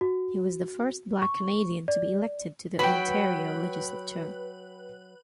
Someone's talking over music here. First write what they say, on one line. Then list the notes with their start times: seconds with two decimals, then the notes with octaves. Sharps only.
He was the first Black Canadian to be elected to the Ontario Legislature.
0.01 F#4
1.22 C#6
1.88 D5
2.79 F#3 B4 G5 B5